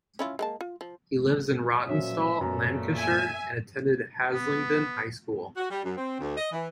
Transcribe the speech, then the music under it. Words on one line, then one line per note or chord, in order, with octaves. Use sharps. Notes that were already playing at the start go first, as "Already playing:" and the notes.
He lives in Rawtenstall, Lancashire, and attended Haslingden High School.
C#4 E4 F4
G#3 A#3 A5
F4
F3
A#2 F3 F#3 C#4 E5
F#2 A#2 A3 B3 A#5
E5 G#5
B3
F#4
G3
F#2
C4
D2
D#5
E3